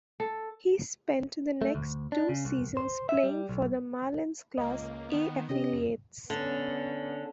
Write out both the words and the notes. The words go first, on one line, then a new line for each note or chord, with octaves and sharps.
He spent the next two seasons playing for the Marlins class-A affiliates.
A4
A3
D2
D4
C#3
C2
C5
E5
G3
B1
C#2 A#3 D#5
D#3 B3
C3 C#4 G4 D#5
F2
D3 B3 C#4